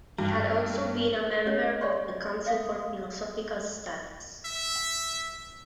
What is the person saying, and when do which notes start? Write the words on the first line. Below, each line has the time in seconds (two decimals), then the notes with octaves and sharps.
He had also been a member of the Council for Philosophical Studies.
0.19 G2
1.46 C#4 G4 C#5 D#5
1.81 C#5 D5 G5 C6 C#6
2.46 E5 F5 D#6
4.45 E5